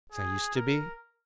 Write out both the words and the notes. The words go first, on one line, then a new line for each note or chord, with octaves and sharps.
"As I used to be?"
G#4
A#4